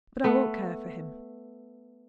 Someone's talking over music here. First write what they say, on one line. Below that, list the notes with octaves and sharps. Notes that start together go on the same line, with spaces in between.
But I won't care for him.
A3 B3